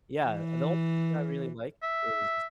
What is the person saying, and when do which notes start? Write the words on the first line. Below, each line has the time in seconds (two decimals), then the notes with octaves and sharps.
Yeah, the only thing I really like is
0.22 E3
1.82 E5